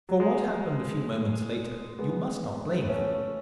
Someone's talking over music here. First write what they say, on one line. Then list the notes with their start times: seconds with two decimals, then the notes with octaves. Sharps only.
For what happened a few moments later you must not blame him.
0.09 F#3
0.20 G#3
1.98 G#3 B3
2.84 B3
2.88 A3 C#4